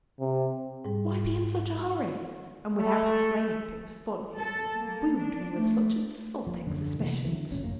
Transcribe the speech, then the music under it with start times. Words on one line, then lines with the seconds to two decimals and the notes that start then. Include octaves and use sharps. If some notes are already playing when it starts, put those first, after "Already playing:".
Why be in such a hurry, and without explaining things fully, wound me with such insulting suspicions?
0.20 C3
0.85 G#2 G3
2.77 A3
4.36 A4
4.80 A#3
5.17 D4
5.58 A3
6.47 F3 A#3
6.67 F#2 D3
6.99 C3 E3 A#3 B3
7.25 D3 E3 F#3
7.51 G#1 D2 A#2 C#4
7.64 F#1 F#2 A#3